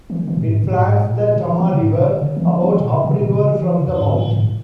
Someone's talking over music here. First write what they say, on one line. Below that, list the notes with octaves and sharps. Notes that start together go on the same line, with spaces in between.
It flanks the Tama River about upriver from the mouth.
D#3
D#3
A#2
G#2
G#2
A#2
G#2
A#2
D#3
F3
D#3
C#3
G#2
A#2
C#3
D#3
C#3
D#3
D#3
F3
F3
D#3
A#2
C#3
C#3
A#2
A#2
C#3
D#3
F3
D#3
C#3
F2
G#2
G#2
G#2
G#2